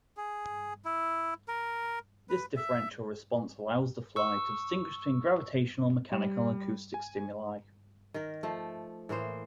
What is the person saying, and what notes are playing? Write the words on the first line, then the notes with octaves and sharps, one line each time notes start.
This differential response allows the fly to distinguish between gravitational, mechanical, and acoustic stimuli.
G#4
E4
A#4
B4
E5
C#6 E6
G3
G#5
D#3 A#4
F3 A3
A2 E3 A#3 C5